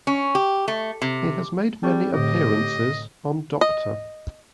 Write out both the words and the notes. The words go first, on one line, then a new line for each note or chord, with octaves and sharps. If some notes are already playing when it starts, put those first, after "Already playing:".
He has made many appearances on 'Dr.
C#4
G4
A3
C3
G3 C4 G#4 C#6
A2 D3 G4 D#5
D#5